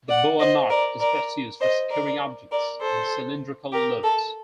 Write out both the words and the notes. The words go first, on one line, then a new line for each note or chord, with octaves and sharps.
The boa knot is best used for securing objects in cylindrical loads.
D5 F#5
C5 D#5
A#4 D5
A#4 D5
C5 D#5
A#4 D5
A#4 D5
A4 C5
G4 A#4
A4